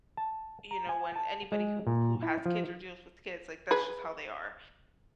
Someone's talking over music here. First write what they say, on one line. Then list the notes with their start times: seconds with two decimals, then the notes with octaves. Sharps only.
you know, when anybody who, who has kids or deals with kids, like that's just how they are,
0.17 A5
0.71 A#5
0.89 G#5
1.16 A5
1.52 G#3
1.87 A#2
2.22 E4
2.46 F3
3.71 G#4 B4